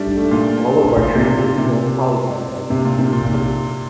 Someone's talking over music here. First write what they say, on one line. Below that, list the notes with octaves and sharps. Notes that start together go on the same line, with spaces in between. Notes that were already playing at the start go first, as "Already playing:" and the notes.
All of our trainees failed the polygraph test.
Already playing: G3 A3 D4
A3
A#2
A#2
C3
C3
A#2
C3
C3
A#2
C3
A#2